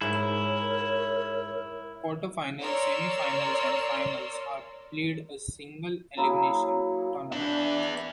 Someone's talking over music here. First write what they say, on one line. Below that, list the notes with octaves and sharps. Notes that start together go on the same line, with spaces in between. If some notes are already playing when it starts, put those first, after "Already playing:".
Quarter-finals, Semi-finals and Finals are played a single-elimination tournament.
G#2 E4 A#4 C#5
A#4 C#5 D5 C6 E6
F#3 A#3 E4 G#4
B3 D4 E5